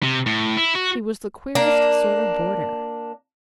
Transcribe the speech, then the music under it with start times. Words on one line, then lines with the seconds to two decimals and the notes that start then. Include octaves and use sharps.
He was the queerest sort of boarder!
0.03 C3
0.26 A2
0.57 E4
0.75 F#4
1.55 A#3 D4